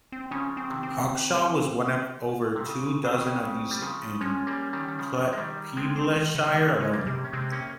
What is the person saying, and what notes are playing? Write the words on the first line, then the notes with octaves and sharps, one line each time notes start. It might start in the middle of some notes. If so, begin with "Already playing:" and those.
Hawkshaw was one of over two dozen of these in Peeblesshire alone.
C4
C#3 F3 C#4
C4
C3 D#3
C4
C3
C#3
C#3 C4
D#3
C#3
C#3
G3
C#3 F3
F3 G#3 C#4
G3 A#3
D#3 G3
D#3
C#3 F3
G#3
D#3 G3
F3 G#3 C4
C4
D#3
C#3
D#3 G3 A#3
C#3 G#3
G3 A#3
C3
C#4
C3 G#3 C4
A#3 C#4